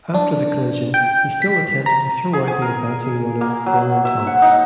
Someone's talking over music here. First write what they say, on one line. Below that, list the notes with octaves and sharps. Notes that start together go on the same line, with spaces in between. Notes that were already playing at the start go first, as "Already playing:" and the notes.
After the collision, he still attempted to throw out the advancing runner Gorman Thomas.
D4
G5
B6
A#5
G#4
G#5
A#4
A#3
F#3
E5
F#5
D#4